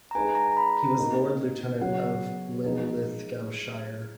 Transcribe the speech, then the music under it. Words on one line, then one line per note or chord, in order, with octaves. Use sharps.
He was Lord Lieutenant of Linlithgowshire.
A#5
G#3 D#4 G#4 B4 G#5
A#5
A#5
B5
A#5
A#3 D#4 A#4
C#3 F#3 B3 F#4 C#5 F#5
F3 G#3 D#4